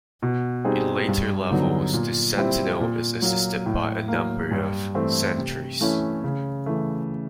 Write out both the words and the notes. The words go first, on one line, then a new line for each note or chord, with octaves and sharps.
In later levels, the Sentinel is assisted by a number of "Sentries".
B2
G3 C4 D#4 G#4
G2
D3 F#3 B3 D#4
A#2
G3 C4 E4
A#2
F#3 A#3
A2
F#3 A#3
G2
E3 A3 C4
C3
E3 A3 C#4 E4
C#3
E3 A3